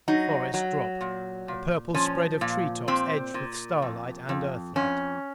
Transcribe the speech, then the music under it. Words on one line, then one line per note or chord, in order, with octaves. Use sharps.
The forest dropped, a purple spread of treetops edged with starlight and Earthlight.
F#3 D#4
F#3
A#2
A#2
F3 C#4
A#2
A#2 C4
A#2
F2
F2
F2 C#4